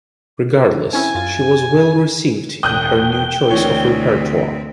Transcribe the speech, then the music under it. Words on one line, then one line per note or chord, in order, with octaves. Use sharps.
Regardless, she was well received in her new choice of repertoire.
C4 C#4 E4 G#5
F#2 F4 A6
E1 G5 D#6 F#6 G6
D2 E3 C4 C#5